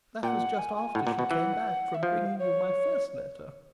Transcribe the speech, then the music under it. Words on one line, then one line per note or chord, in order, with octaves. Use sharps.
That was just after she came back from bringing you my first letter.
A#2 F#5 G5
G#5
G#5
A2 F#5
A#2
B2
E3
E5
F3 F5
C#5